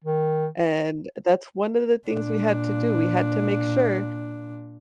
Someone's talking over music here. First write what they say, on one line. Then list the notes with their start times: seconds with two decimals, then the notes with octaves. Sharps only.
and that's one of the things we had to do. We had to make sure
0.04 D#3
2.08 A#2 D4